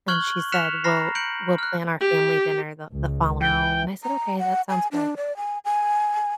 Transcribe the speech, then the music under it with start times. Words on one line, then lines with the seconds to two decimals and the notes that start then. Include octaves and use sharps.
and she said, "We'll we'll plan our family dinner the the following day," and I said, "Okay, that sounds good."
0.08 C#6 F6 F#6 G#6 F#7 G7
0.52 F6 F#6 B6 C#7 E7 F7
0.84 A#5 B5 F6 A#6 C7
1.15 G6 C#7 D7 F#7
1.58 F6 F#6
2.01 G4
2.91 C#2
3.41 E3 G5
4.04 A#5
4.39 F#5
4.69 G#5
4.92 D4
5.17 D5
5.37 G#5
5.65 G#5